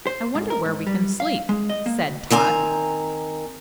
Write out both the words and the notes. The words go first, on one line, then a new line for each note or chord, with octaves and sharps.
"I wonder where we can sleep," said Tot.
C5
G#2
A#4
G#2
G3
F5
G#3
D#5
A#3
D2
D#3 C4 G#5 A#5